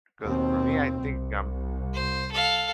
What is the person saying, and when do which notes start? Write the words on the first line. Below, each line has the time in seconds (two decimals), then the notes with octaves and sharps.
'Cause for me, I think I'm
0.21 D#2 B2 C4
1.03 C2
1.93 C5
2.31 A4 F5